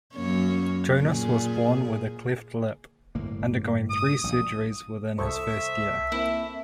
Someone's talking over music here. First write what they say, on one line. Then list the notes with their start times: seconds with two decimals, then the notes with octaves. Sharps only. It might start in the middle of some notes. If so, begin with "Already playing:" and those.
Jonas was born with a cleft lip, undergoing three surgeries within his first year.
0.15 F#2 A#3 C#5
1.01 A#2 G#4
3.15 G1 A2 A#3
3.90 D#6
4.24 A#1 G3
5.18 C2 A4 C5 E5 C#6 D#6
6.12 A#3 C4 E4